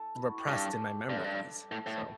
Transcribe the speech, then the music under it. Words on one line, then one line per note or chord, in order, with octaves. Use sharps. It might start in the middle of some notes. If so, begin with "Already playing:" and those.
repressed in my memories. So,
Already playing: A4
E4
F#4
G4
G2 A4
G2 A4
F#2
G2
A2 A4
A2